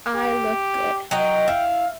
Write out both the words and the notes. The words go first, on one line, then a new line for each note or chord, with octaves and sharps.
I look good.
G4
F#3 D#5 G5 A#5
E4 F5